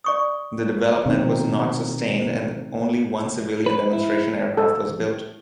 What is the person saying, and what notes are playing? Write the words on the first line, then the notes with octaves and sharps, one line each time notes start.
The development was not sustained and only one civilian demonstration aircraft was built.
D5 C#6 D#6
B2 D#3 C4 D#4
B4
E4
A4